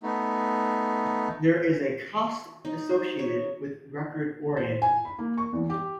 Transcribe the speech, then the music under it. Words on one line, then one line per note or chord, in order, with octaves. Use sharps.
There is a cost associated with record oriented.
A3 B3 D#4
D#4
C5
C#5
C5
G#5
B5
A#3
C#6
E2
G4